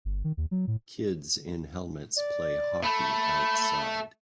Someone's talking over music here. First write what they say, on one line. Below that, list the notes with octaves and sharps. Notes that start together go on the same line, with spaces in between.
Kids in helmets play hockey outside.
G1
D#3
D#2
F#3
A2
D5
A3 B5